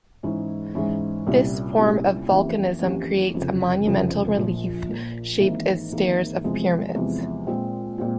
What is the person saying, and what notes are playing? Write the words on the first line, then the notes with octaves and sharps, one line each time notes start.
This form of volcanism creates a monumental relief shaped as stairs of pyramids.
G#2 E3 G#3 C#4 E4
G#2 E3 G#3 C#4 E4
C2 A#2 G3 C#4 E4
C2 A#2 G3 C#4 E4
F2 E3 A#3 C#4 G4
F2 E3 A#3 C#4 G4
F1 F2 C#3 F3
F1 F2 C#3 F3
A#1 A#2 F3
A#1 A#2 F3
G#1 G#2 E3 A#3
G#1 G#2 E3 A#3
E2 C3 F3 G#3
E2 C3 F3 G#3
A#2 G#3 C4 F4
A#2 G#3 C4 F4